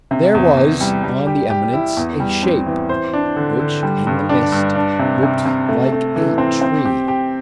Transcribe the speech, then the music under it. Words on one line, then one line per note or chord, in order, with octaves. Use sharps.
There was on the eminence a shape which in the mist looked like a tree.
C3
E2
E2
G3
G3
G4
G4
E4
E2
G3
C4
E3
C5
D4
D3
D3
G3
G2
D4
G2
D4
C3
C3
C3
A3
A3
E3
C4
C4
G4
G4